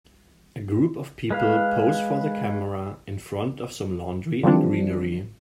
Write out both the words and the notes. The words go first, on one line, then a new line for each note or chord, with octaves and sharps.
A group of people pose for the camera in front of some laundry and greenery.
G#3 B4 F5
D3 E3 F3 G3 C4 D4